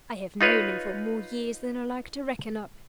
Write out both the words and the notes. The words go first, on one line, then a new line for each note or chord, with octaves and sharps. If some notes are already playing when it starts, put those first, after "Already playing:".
I have known him for more years than I like to reckon up.
D#4 F4 B4 C#5